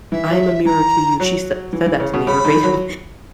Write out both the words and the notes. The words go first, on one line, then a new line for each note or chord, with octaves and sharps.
I'm a mirror to you." She said said that to me verbatim.
E3 E5
F#3
E3 A#5
F#3
E3
E3
C#3
B2
C#3 B5
D#3
F#3